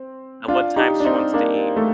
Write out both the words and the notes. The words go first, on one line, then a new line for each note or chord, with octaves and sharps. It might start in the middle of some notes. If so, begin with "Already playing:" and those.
At what time she wants to eat.
Already playing: C4
D4 F4
D#4 G4
D4
C4 D#4
A#3 D4
A3